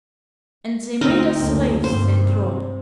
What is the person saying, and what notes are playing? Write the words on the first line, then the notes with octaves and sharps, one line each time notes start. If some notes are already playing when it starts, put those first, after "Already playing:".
"And they made us slaves," said Trot.
D2 C4 D#4 A#4
F#1 D2
G2 C3 C5
C3